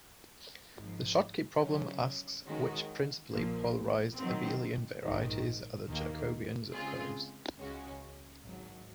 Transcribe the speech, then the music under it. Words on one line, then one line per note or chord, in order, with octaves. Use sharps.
The Schottky problem asks which principally polarized abelian varieties are the Jacobians of curves.
G#1 G#2 F3
C#3 F#3 C#4
D#3 G#3 C#4 F#4
A#1 A#2 F3 A#3
D#3 F#3 C4
A#1 G#2 D#3
D#2 D#3 A#3
C#3 G#3 C4 F4 G#4
C#2 C#3 G#3 C#4 F#4
G#1 G#2 F#3